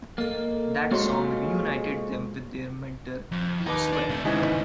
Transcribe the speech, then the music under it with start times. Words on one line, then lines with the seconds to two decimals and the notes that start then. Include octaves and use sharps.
That song reunited them with their mentor Keith Sweat.
0.18 A#3 A4 D#5
0.91 G#3 A#3 F4 F#4 C5 C#5 C6
3.32 F2
3.66 D#2 D#4 B4 D6
3.93 D4
4.09 C3 A3
4.25 D#2 G#2 C#3 E3 D#5